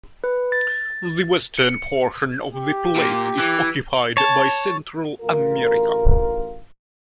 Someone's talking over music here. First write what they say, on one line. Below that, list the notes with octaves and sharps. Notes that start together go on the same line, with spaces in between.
The western portion of the plate is occupied by Central America.
B4
A6
C#7
G4
A#2
E3
C#5 A5
A1 D2 F4 A#4